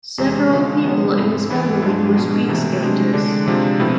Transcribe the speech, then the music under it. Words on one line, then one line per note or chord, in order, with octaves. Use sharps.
Several people in his family were speed skaters.
E2 C3 G#3 C4
D3 F3 G#3
C3 G#3 B3 D4
G#2 G#3 C4 E4
G#2 E3 B3 E4
G#2 F3 G#3 D4
B2 G#3 D4
C3 E3 A3
C3 G#3 D4
D3 G#3 D4
C3 F3 G#3 D4
B2 A3 C4 E4